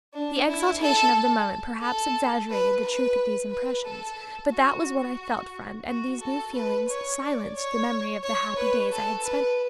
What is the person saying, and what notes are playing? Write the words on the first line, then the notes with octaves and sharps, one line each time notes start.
The exaltation of the moment perhaps exaggerated the truth of these impressions, but that was what I felt, friend, and these new feelings silenced the memory of the happy days I had spent with you.
D4
E4
A4
A4
B4
B4
B4
A4
F#4
F#4
F#4
A4
B4
C#5
D5
C#5
C#5
B4
A4
B4